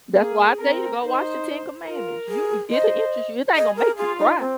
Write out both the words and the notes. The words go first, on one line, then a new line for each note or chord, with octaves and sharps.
That's why I tell you to go watch The Ten Commandments, you it'll interest you, it ain't gonna make you cry,
C4
A#3 G#4
C4 A#4
D#4 C5
F4 A#4
G#4
C5 D#5
G#4 D#5
A#4
F4 G#4
D#4
C4